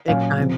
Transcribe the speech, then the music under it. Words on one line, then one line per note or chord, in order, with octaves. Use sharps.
Big time.
A#2 F#3 C#4 F5
C3 F3 C4